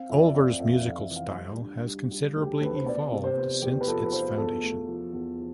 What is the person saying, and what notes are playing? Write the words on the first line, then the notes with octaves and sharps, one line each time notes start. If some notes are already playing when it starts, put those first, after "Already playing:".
Ulver’s musical style has considerably evolved since its foundation.
Already playing: C4 F5
F2 E5
D5
E5
C4 D5
F2 E5
E5
D5
F2 F5
E5
E3
F5
G3
D4
G3
G3
D2
G4
A4
D2 B4
C5
B3 D5
C3
C5
B3
E2 G4
B4
F3 A4
B4
F3 C5
E2 A4
A3
F3
E2
F3